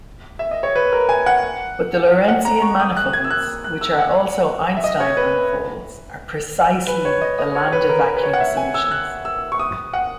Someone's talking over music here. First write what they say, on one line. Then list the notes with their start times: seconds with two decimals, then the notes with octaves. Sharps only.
But the Lorentzian manifolds which are also Einstein manifolds are precisely the Lambdavacuum solutions.
0.39 E5
0.51 D#5
0.63 C#5
0.76 B4
0.92 A#4
1.09 G#5
1.26 F#5
2.28 F#5
2.45 A#5
2.62 C#6
2.80 D#6
2.97 F#6
3.13 G#6
3.24 E6
3.30 F#6
3.64 F#6
3.81 E6
3.99 F#5
4.77 E5
4.84 D#5
5.00 C#5
5.17 B4
6.87 B4
7.05 C#5
7.21 D#5
7.39 D#5
7.55 C#5
7.68 C#5
7.72 B4
7.89 A#4
8.06 B4
8.17 B4
8.23 C#5
8.33 F#5
8.40 E5
8.57 G#5
8.74 E6
8.91 F#6
9.25 E6
9.52 C#6
9.59 D#6
9.93 F#5